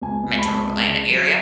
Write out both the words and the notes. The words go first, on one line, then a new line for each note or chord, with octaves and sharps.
Metro Atlanta area,
C#2 G#5
C#2
B5
C#2 A5
C#2
C#3
F#3